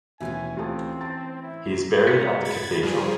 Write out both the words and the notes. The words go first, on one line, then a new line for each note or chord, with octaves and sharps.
He is buried at the cathedral.
D#2 B2 E3 A3 C#4 E5 G#5
D2 C4 F4 G4 A4 A5
A5 C6 A6
E4
C#2 B3
B5 G#6 A6
G2 F3 G3 G#4